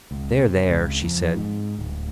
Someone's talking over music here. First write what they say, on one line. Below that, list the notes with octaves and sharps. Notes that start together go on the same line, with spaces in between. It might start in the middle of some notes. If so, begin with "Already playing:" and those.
"There, there," she said.
C#2
C3
C#2
F2
G#2
D1